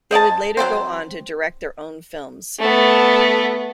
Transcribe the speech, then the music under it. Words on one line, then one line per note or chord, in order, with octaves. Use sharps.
They would later go on to direct their own films.
C5 D#5 G#5 A5
F#3 A3 C4 C5
A3 B3